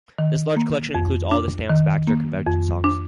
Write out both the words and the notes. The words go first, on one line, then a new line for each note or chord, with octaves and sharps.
This large collection includes all of the Stamps-Baxter convention songs.
D#3
A#3
F2
D4
D#3
A#3
F2
D4